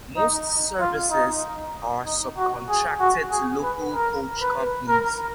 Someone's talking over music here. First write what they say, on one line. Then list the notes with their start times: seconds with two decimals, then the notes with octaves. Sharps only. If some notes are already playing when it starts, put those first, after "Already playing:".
Most services are subcontracted to local coach companies.
0.17 D#4
0.80 F4
1.11 D#4
2.06 D#4
2.37 F#4
2.68 G#4
3.00 F#4
3.31 G#4
3.63 B4
3.94 A#4
4.41 B4
4.88 A#4